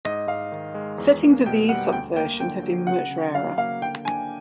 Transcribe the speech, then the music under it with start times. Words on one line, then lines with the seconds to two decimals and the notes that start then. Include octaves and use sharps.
Settings of the Aesop version have been much rarer.
0.05 G#2 D#5
0.27 G#2 F5
0.52 D#3
0.74 G#3
0.98 E2
1.23 A#3
1.46 B2 G5
1.69 G3 F#5
1.93 D2 G5
2.16 A#3 G5
2.40 D3 G5
2.63 F#3
2.87 C#3 F#5
3.10 C#3
3.35 F#3 F5
3.58 A#3 F5
3.81 D3 G5
4.05 D4 G#5